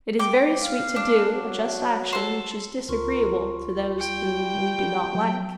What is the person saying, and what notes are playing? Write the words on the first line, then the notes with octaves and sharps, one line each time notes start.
It is very sweet to do a just action which is disagreeable to those whom we do not like.
G5 D6
F5
D4
F#3
A4 C5
C#2 F4 A#4 C6 C#6
G3 G5
F#3